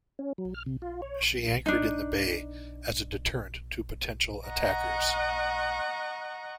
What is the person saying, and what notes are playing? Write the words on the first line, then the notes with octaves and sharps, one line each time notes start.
She anchored in the bay as a deterrent to potential attackers.
C#4
F#3
F6
C3
F4
C#5
D4 D#4
D#5 F#5 A#5 C#6